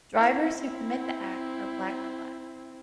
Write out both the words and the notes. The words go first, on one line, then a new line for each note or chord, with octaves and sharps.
Drivers who commit the act are black-flagged.
C4 E4